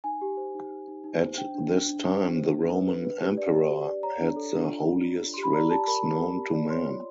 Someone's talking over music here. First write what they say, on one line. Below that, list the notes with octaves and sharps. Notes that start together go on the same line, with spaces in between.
At this time, the Roman emperor had the holiest relics known to man.
D#4 G#5
G4
C5
D#4
D#4
D#4
D#4
C5
D4 G5
D4
D4
D4
D4
C5
C5
D4
B4
B4
B4
G4
D5
G4
G4
D5
C#5 A#5
D4
A4
D4
F4
F4
F4
F4
G4 C6
B5
D5 A#5
G4 A5
A#4 B5
A#4
A#4
G4
D5
C#5 C6
F4